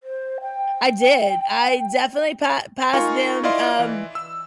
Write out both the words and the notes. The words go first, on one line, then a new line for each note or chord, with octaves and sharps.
I did, I definitely pa pass them um,
C5
G5
D#4 F4 A#4 F5 G#5 C#6
E4 D5 D#5 F5 C6
E3
E6